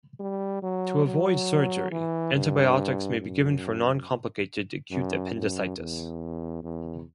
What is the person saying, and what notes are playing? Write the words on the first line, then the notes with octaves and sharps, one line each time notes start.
To avoid surgery, antibiotics may be given for non-complicated acute appendicitis.
G3
F#3
F#3
E3
G2
F#2
F#2
F#2
E2
E2